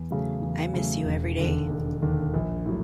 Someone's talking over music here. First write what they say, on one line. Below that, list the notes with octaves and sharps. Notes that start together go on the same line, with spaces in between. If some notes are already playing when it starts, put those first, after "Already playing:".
I miss you every day.
Already playing: E2
C#3 F#3 A3
E2
C#3 F#3 A3
E1
D#2 D3
E1
D#2 D3
A#1
A2 F#3